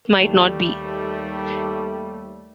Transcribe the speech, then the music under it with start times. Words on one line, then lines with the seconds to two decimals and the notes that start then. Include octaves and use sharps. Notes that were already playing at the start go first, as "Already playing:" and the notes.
It might not be.
0.18 D#2 G3 A3